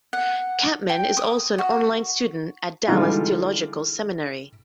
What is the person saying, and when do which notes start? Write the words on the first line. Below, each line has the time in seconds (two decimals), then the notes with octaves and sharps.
Kampman is also an online student at Dallas Theological Seminary.
0.13 F#5
0.89 G5
1.17 D#6
1.58 F#4
2.88 D3 E3 G3 G#3 D#4 F4